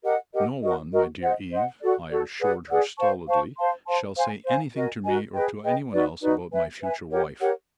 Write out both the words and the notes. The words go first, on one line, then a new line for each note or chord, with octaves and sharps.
"No one, my dear Eve," I assured her stolidly, "shall say anything to me or to any one else about my future wife."
G4 A#4 D#5 F#5
G4 A#4 D#5 F#5
F#4 A#4 D#5
F#4 A#4 D#5
C5 D#5 F#5
C5 D#5 F#5
F#4 A4 D5
F#4 A4 D5
G#4 B4 D5 F#5
G#4 B4 D5 F#5
C5 F5 A5 C#6
C5 F5 A5 C#6
C5 F5 A5 C6
C5 F5 A5 C6
C5 F5 G#5
C5 F5 G#5
F#4 A#4 D#5 G#5
F#4 A#4 D#5 G#5
G#4 B4 D#5 G5
G#4 B4 D#5 G5
D#4 F#4 B4 D5
D#4 F#4 B4 D5
B4 E5 G#5
B4 E5 G#5
G4 A#4 C#5 F#5
G4 A#4 C#5 F#5